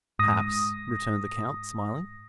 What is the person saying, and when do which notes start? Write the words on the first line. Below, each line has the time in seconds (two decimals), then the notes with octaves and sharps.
"Perhaps," returned the count, smiling.
0.19 G#2 D#6 A#6